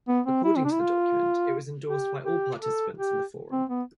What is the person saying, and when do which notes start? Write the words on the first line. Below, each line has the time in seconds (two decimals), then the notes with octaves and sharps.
According to the document, it was endorsed by all participants in the forum.
0.08 B3
0.26 C4
0.44 E4
0.57 C4
0.64 D4
0.72 E4
0.80 F4
1.89 G4
2.25 G4
2.61 A4
2.97 G4
3.51 C4
3.69 B3